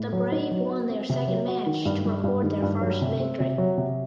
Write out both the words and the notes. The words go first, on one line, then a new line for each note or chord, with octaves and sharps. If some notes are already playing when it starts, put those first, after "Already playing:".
The Brave won their second match to record their first victory.
Already playing: A2
F#3
D#4
F#3
F#4
C4
C3
F#3
F#4
D#3
G2
G3
G2
D#3
G2
F#3
C3
C4
C3
F#3
C3